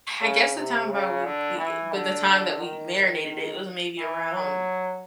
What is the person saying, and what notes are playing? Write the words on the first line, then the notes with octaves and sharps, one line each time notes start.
I guess the time by we p we but the time that we marinated it, it was maybe around
C#3
C3
C#3
D3
E3
D3
D#3
E3
F#3